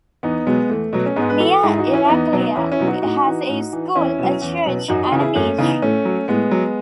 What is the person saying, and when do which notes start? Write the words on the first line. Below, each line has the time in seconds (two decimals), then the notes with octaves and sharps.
Nea Irakleia has a school, a church and a beach.
0.23 E2 B3 D#4
0.47 B2 F#3 G#3 B3
0.69 E2 A3
0.93 B2 F#3
1.06 C#4
1.16 G#2 G#3 B3
1.30 B4
1.40 E3 F#4 A4
1.63 G#2 E4 G#4
1.74 G#4
1.78 D#4 F#4
1.86 E3
1.93 C#4 E4
2.05 E4
2.09 E2 B3 D#4
2.32 B2 F#3
2.55 E2 C#4 E4
2.72 C#4 E4
2.79 B2 F#3
2.87 D#4 F#4
3.02 A2 D#4 F#4
3.26 E3
3.49 A2
3.73 E3
3.95 E2 C#4 E4
4.19 B2 F#3
4.42 E2
4.66 B2 F#3
4.88 F#2 D#4 F#4
5.04 D#4 F#4
5.12 C#3 E3
5.20 E4 G#4
5.35 F#2 A3 C#4
5.58 C#3 E3 B3 D#4
5.82 A2 A3 C#4
6.05 F#3
6.28 A2 G#3 B3
6.51 F#3